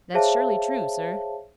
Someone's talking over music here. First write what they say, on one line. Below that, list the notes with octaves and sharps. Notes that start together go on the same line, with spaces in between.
"That's surely true, sir."
G#4 C5 C#5 E5 F5 A5